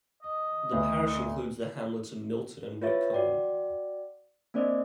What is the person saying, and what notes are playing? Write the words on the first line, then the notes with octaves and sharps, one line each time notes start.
The parish includes the hamlets of Milton and Witcombe.
D#5
D2
F4 B4 C#5 E5 A6
F#4 D5 G5
A#3 C4 D4 C5 D5 D#5